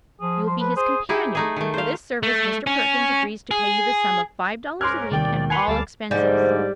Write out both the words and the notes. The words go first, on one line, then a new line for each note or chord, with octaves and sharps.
You will be his companion, and for this service Mr. Perkins agrees to pay you the sum of five dollars a week and all expenses.
F3 G#4
C5
B4
G#4 C5
D#4 E4 G4 G#4
A3 D#4 G#4
D#3 A3
C5 F5
A3
C#4
G#4
G#2 C#4 A#4 C6 D6 F6 F#6 G#6
D#2 C3 G3 D5 G5
B2 G#3
B4 F#5 G#5 B5 C6 G#6 F7
D2 G3 A4 F5 A5 D6
G#2 D3 F3 G3 A3 D5